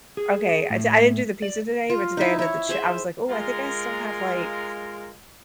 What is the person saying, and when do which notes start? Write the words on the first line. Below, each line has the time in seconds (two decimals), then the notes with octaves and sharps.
"Okay" I d I didn't do the pizza today, but today I did the chi I was like, "Oh, I think I still have, like,
0.17 G#4
0.70 A2
1.42 D5
1.90 F4
2.17 D#4 E4
2.39 E4 C#5
2.69 G#4 C5 E5
3.29 G#3 F4 A#4